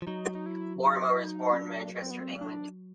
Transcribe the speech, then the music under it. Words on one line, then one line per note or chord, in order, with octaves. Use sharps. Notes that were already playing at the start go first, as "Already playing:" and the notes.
Lorimer was born in Manchester, England.
F3
F#3 D#4
D#4
E4
D#4
E4
D#4
C#4
D4
C4
B3
C4
D4